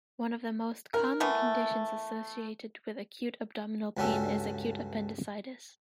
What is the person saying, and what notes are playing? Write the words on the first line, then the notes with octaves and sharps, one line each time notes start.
One of the most common conditions associated with acute abdominal pain is acute appendicitis.
A#4
E3 A3 B3
C#2 G2 G3 C#4 F#4 A4